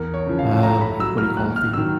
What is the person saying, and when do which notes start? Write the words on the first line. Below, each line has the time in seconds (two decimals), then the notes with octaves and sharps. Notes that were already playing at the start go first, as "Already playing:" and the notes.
um, what do you call it? The
Already playing: E2 A#4
0.14 C#5
0.26 C#3 F3
0.39 F5
0.63 A2 A#5
0.81 B5
0.99 F#3 E6
1.18 F6
1.37 D#2 F#6
1.56 F6
1.74 D#3 F#3 E6